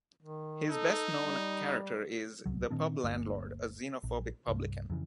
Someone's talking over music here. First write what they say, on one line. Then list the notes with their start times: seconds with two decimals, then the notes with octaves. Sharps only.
His best-known character is "The Pub Landlord", a xenophobic publican.
0.23 D#3
0.70 D#4 A4
1.19 G3
2.46 D1 C2 F#3
2.70 A#2 D#3 C4 D4
3.04 G1 D2 G2 A#3
4.03 A#1
4.48 C2 G2
4.90 F2 C#3 E3